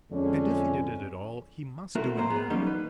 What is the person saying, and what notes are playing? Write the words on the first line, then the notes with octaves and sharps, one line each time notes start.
And if he did it at all, he must do it now.
F2 D3 G#3 C#4
A3 C4 E4 F#4 A4 A#4
F2 A2 A#3 C5 A#5
B3 G#4
E3 F#3 G3 A#3 C#4 D#4
B4